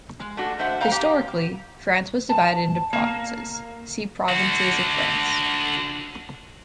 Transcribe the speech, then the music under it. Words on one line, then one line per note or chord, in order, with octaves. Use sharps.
Historically, France was divided into provinces; see Provinces of France.
G#3
A3 D4 F#4
A3 C5 E5 F#5
C5 F5 G5 A#5
G4
A5
A#3
D3 F#4